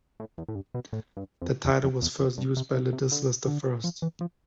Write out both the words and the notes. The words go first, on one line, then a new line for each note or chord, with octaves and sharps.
That title was first used by Ladislaus the First.
A2
E2
A2
G2
B2
A2
G2
F2
E2
F2
E2
F2
G2
C3
C3
C3
D3
D3
F3
E3
F3